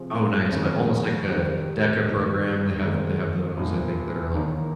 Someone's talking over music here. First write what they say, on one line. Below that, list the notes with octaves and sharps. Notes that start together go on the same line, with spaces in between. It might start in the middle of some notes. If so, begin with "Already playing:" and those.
Oh, nice, but almost like a DECA program. They have they have those, I think, that are, like,
Already playing: C3 F3 C4 F4 G#4
F2 D#3 G#3 C#4
C3 D#3 G3 C4 G4
G2 D#3 G3
G#2 D#3 G#3 C4
C2 A#2 F3
D#2 D#3 A#3